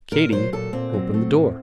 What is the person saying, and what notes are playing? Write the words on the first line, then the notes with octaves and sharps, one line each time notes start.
Katy opened the door.
A#2 A#4
F#3 C5
A#2 A4
A#2 C4
F#3
A3
A2